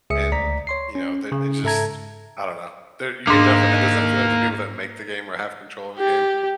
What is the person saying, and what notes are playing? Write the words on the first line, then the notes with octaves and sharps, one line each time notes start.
And, you know, they it just I don't know, there you can defi it doesn't feel like the people that make the game or have control of the game
C#2 G#4 E5 D#6 C#7
D2 D5 A#5 B6
C#5 C6 C7
C#4
C#3
G#2 A4 E5 A5 A#5 G#6
G#2 A#3 D4 D#4
G4